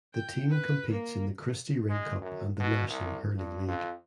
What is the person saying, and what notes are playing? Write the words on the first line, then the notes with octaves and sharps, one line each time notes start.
The team competes in the Christy Ring Cup and the National Hurling League.
G5
B4
A#3
G#3
F#2
B2
C2
G2
F2